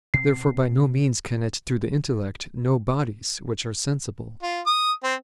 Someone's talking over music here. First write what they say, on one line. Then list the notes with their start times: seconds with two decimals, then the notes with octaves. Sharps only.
Therefore by no means can it, through the intellect, know bodies, which are sensible.
0.14 B2 C4 C7
4.43 F4
4.67 D#6
5.04 C4